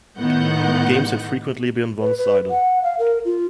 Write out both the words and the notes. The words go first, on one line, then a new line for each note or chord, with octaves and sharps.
Games had frequently been one-sided.
A2 D#3 B3 F#5 G6
B4
B4
F#5
F5
A#4
F4